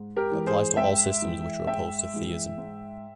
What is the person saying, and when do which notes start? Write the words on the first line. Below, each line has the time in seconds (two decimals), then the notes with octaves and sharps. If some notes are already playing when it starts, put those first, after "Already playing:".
It applies to all systems which are opposed to theism.
Already playing: G#2
0.16 G4 A#4
0.32 E3 G#3
0.47 G#4 C5
0.77 G#2 E5 G5
1.22 E3 G#3
1.67 G#2 E5 G5
2.14 E3 G#3
2.58 G#2